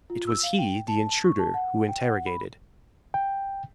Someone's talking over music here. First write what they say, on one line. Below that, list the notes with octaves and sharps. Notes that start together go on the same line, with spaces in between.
It was he, the intruder, who interrogated.
F4
E6
F5
G5
A5
C#6
A5
F#5
G5
F#5
B5
G5